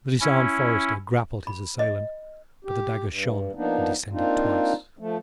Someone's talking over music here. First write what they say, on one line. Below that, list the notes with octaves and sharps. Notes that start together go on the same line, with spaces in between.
The disarmed forester grappled his assailant; but the dagger shone and descended twice.
C#4 E4
B5
D#5
G4
G2
F3 A#3 B3 D4 D#4
A#3 C4 D4 D#4 F4
F3 A3